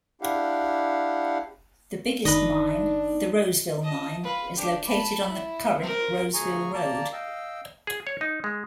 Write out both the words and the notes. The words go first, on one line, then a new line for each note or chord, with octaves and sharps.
The biggest mine, The Roseville Mine, is located on the current Roseville Road.
D4 E4 G4 F5 F#5
F#1 D#3 D4 D#4 B4 D#5
D#5 A5
F4 B4
D4 G4
A5 B5
E4
C4 A#4
D2 G#4 G#5 A#5 C#6
A#3 D5 A5 A#5
D#5 F5 G5 E6
G#4
C#5
D#4
G#3